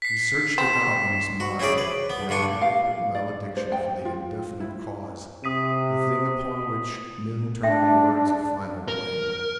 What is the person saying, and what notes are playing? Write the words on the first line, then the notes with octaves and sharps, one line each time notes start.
He searched about in his mind for an adequate malediction for the indefinite cause, the thing upon which men turn the words of final blame.
B6 C7
C4 E7
F#4
C4 C#4 E4 G#4 D5
B4
B3
G2 D3 D4 G#5 C#6
F5
D5
C5
G5
F4
E4
C3 D#6 B6 D#7
D4 E5 G5
A#4